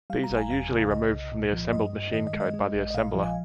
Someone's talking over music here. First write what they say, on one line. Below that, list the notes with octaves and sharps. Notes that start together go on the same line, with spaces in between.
These are usually removed from the assembled machine code by the assembler.
G3 F5
A#5
G1
G#5
F2 F5
C#3
C2 D#5
C2
A#2
F3
G2 D#5
G2
D#3 D#5
D#5
G#3
D#5
G#3
A#1
D#5
A#2 F5
F3
G#5